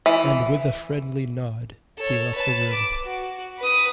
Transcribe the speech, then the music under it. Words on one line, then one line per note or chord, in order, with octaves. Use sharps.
And, with a friendly nod, he left the room.
E3
A4 C#5
B4 A5
D6
F#4
B4 D#6